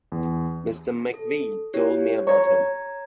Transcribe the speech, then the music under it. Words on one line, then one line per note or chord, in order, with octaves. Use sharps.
Mr McVeigh told me about him.
E2
A4
E4 G4 C#5
C#5 A#5 G#6